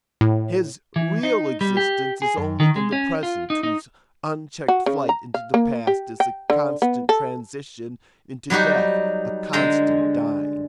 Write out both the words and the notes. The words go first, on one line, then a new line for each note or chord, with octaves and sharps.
His real existence is only in the present, whose unchecked flight into the past is a constant transition into death, a constant dying.
A2
E3
D#4
G3
G4
G#4
F#2
D#3
G#3
C#4
F4
D#4
D#4
F#4
C#3
A#5
F5
A#3
G4
G5
D3
B3
A4
F#3 G3 D#4 F#4 G4
D3 G#3 G5 A#5